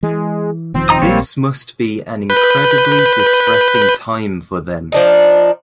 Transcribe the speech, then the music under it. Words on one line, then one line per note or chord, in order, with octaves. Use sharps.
This must be an incredibly distressing time for them.
E3 G#3
E1 D#3 F3 C4
D#4 A#5 D#6
A#1 G3 A#3 C#5
B4 G6
F3 D4 D#4